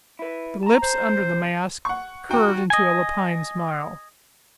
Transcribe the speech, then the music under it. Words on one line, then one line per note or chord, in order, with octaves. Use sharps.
The lips under the mask curved into a lupine smile.
E4 B4
A5 A#5
C5
C3
F#5 C#6
F#4 G5 A#5
D#5 G#5